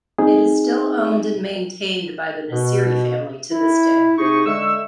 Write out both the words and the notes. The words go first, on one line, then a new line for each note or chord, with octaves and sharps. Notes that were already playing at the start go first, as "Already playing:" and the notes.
It is still owned and maintained by the Nasiri family to this day.
C4 D#4 G#4
B2
E4
C3 D#4 G4 G#4 C#6
D3 G#3 E5 C#6 E6